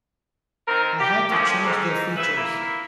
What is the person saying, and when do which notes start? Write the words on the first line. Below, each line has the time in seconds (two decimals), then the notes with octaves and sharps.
I had to change their features.
0.68 D#3 C4 A#4
1.00 G4
1.29 D2 F3 A#3 C#4 G4 D#5
1.64 G#2
2.16 C#3 B4 E5
2.37 A#3 E4